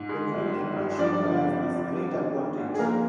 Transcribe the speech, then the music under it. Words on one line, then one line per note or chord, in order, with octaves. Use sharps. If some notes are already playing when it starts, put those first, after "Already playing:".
The unilateral shoe has this great advantage.
Already playing: G#2
G#3
G1
D#3
G2
F3 D4 D5
G1
C3
F2
G3
G#1
D#3
G#2
G#4
F1 A#3 A#4